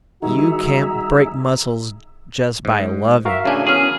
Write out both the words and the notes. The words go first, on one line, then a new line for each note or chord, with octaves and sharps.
You can't break muscles just by loving.
D#3 G3 D#4 F#4 G#4 E5 A#5
G#2
F#4 A#4 E5 F5
A2 C#3 D4 G#5
E2 C#4 G#4 F6